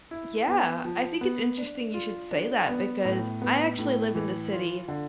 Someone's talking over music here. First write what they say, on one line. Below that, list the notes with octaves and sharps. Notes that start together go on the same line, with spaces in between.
Yeah. I think it's interesting you should say that because I actually live in the city,
E4
B3
F3
B3
D4
F4
D4
B3
A2
B3
A2
E3
F4
D3